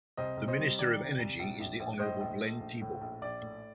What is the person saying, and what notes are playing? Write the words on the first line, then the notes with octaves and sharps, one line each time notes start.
The Minister of Energy is the Honourable Glenn Thibeault.
C2 C5 D#5
C2
C5 D#5
G3
D#3 D5
C2
C2
A#1
A#1
A#1
A2 C5 D#5
A#1
A3
A#1
A2
A#1
A#1 D5
A2